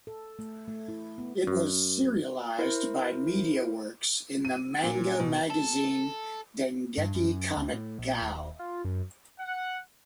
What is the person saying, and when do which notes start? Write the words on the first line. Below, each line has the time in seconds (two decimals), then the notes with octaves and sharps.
It was serialized by MediaWorks in the manga magazine Dengeki Comic Gao!
0.07 A4
0.39 A3
0.68 A3
0.88 E4
1.18 B3
1.47 F#2
2.59 E4 A#4 C5
4.45 D#7
4.84 A#2
5.20 B2
5.50 A4
6.97 G2
7.15 F#2
7.57 D2
7.73 A2
7.99 A#1
8.22 D#1
8.59 F4
8.85 F#2
9.39 F#5